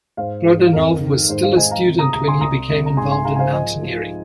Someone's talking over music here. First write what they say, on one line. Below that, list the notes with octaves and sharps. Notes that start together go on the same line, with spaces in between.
Prodanov was still a student when he became involved in mountaineering.
G#2 C5 F5
G#2
F5
F2 A#4 D#5
D#3
G#2 C5
C5 F5
G#2 D#5 G#5
F5 A#5
C3
A#5 D#6
C2 A#5 D#6
G#5 C6
C2 A#5 D#6
C2
A#5
G#2 G#5 C6
G#5 C6
G#2 F5 A#5
G#5
C5 F5
F3 D#5 G#5
F3